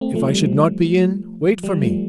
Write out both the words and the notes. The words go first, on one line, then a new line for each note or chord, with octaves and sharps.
"If I should not be in, wait for me."
A3 C4
F3 A3
G3
F3
G3
F3 A3